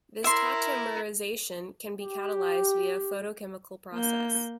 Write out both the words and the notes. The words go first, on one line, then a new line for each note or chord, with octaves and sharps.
This tautomerization can be catalyzed via photochemical process.
E4 A#4 E5 C6
G4
A#3 G6